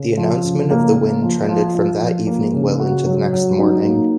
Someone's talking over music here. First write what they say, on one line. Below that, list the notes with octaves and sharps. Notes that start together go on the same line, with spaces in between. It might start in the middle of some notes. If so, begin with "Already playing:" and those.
The announcement of the win trended from that evening well into the next morning.
Already playing: C#3
F3
C#3
A#3
A#3
F3
F3
F3
F3
A#3
C#3
F#4
F#3
F#3
D#4
A#3